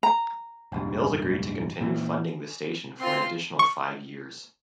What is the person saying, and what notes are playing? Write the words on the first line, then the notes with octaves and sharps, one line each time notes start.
Mills agreed to continue funding the station for an additional five years.
A#5
F1 A#1 G2
A#2 E3
C4 F4 C6
C#6